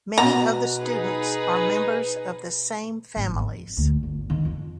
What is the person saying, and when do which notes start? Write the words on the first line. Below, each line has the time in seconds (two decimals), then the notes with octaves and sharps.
Many of the students are members of the same families.
0.18 B2 F#5 A#5
0.77 D#4 G#4 B4
3.16 G#1
3.39 F2
3.77 D2
4.03 G1
4.30 D#3
4.45 F2